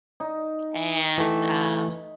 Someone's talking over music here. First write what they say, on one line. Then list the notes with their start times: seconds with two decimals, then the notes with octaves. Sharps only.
and, um,
0.20 D#4
1.18 E3 A3